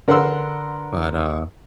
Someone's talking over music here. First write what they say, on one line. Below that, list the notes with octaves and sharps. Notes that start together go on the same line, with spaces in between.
but, uh
D3 A#4 B4 F#5 C6 E6